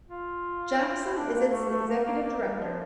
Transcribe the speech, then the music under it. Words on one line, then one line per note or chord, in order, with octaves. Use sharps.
Jackson is its executive director.
F4
E4
F4
E4
D4
A#3
A3
A3
A#3
A#3
A#3
G3
F3